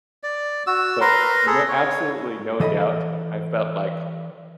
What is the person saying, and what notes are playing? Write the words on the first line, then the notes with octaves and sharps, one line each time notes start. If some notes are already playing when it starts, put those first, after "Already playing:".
But no absolutely no doubt I felt like
D5
F#4 E6
A#4 B4 A#5 C6
G#4 A4
C#5
E3 A4 D#5 G5 B5